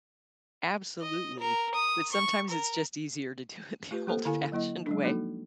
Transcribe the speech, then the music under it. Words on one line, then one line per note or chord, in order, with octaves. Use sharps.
Absolutely, but sometimes it's just easier to do it the old-fashioned way
D#5
A#4
D#6
C#6
A#4
A3 F4 G4 B4
A#3 G4 A4 C5
D3 E4 A4 F5 G#5
F#3 A#3 E4 D#5
F#3 G#3 D4
F3 A#3 D#4 F#4 A4